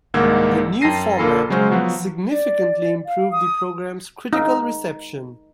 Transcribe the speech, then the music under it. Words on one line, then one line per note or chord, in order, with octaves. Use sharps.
The new format significantly improved the program's critical reception.
C2 G#2 D#3 A#3 E6 G#6
F#2 G5 A5 A#6 C7 D#7
A#1 A#3 F4 A4 B5 C7
C#3 F#3 G#3 C5 C#6 F6
F3 F#3 B3 F#4
D5
F5
D#6
D#4